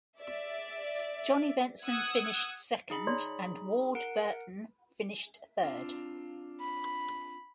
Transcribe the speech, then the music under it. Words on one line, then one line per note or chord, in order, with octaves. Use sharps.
Johnny Benson finished second and Ward Burton finished third.
D5 E5
F#5 D#6 E6 F#6 G#6
D#4 G#4 B5
C#5 D5 C6
A#4 F#5 D7
C4 D4 F4
B5